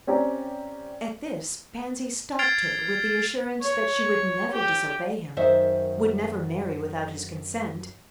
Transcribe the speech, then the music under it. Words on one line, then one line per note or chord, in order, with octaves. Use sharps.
At this Pansy stopped her with the assurance that she would never disobey him, would never marry without his consent.
C4 C#4 G4 D5 A#5
F6 G#6 A6 C7 D7 F7
C#5
G4
F#2 D#3 C5 E5